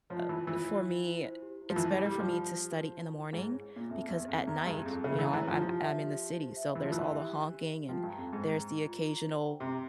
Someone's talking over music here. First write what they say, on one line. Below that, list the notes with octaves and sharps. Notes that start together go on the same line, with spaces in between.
uh, for me, it's better for me to study in the morning because at night, you know, I'm I'm I'm in the city, so there's all the honking and there's the occasional
F3 C#5
E3 F4
E3 F4
F4
F4
E4
C5
G4
E4
F3
E3
E4
G3
G4
G3
F3 G4
C5
G4
C5
E4
E4
G#2 G#4
C#5
C#5
A#2
F2 E5
E2 E5
F2 E5
E2 A#5
G2 G#4
F2 G#4
C#3 E5
E3 A#5
E3
C#5
F3
F3 G4
E5
G4
G4
C5
E5
E3 G4
F3
E3 E5
G4
G4
G4
G4
F3 G5
G2 A#5
F2
G#2 G5
A#5
A#5
F4
A#5
C5
G5
C3 A#5